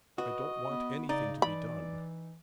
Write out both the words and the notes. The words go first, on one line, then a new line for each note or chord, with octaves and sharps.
I don't want anything to be done.
F#4 B4 D#5
B3
C#3 D#4 D5
E3 D5 B5